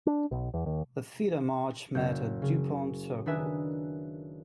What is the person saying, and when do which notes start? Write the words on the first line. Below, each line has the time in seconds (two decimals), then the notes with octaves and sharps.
The feeder march met at Dupont Circle.
0.07 D4
0.31 B1
0.54 E2
0.66 D#2
1.95 F#1 G6
2.42 C#3
3.26 D#3 D4 B4 E5 G#5 D#6